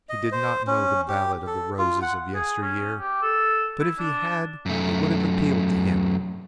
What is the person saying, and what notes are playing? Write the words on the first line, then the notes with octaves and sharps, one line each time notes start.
He did not know the ballad of the roses of yesteryear, but if he had it would have appealed to him.
D#5
C5
C#4
G4
A4
F4
F#5
G#4
C#4
G4
A4
E4
D4
F#2 A3